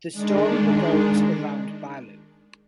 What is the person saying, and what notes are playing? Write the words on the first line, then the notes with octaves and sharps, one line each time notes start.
The story revolves around Balu.
D#3 G#3 D4